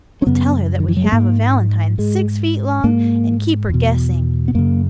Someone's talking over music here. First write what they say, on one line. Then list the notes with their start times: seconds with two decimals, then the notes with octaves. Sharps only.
"We'll tell her that we have a valentine six feet long, and keep her guessing."
0.22 C#4
0.27 F#2 C#3 B3
0.80 D#3
0.88 E3
0.97 F#3
1.04 G#3
1.12 G#2 A#3
1.98 G#2 G#3
2.84 G#2 A#3
3.69 E2 B2
4.48 B3
4.55 F#2 C#3 A#3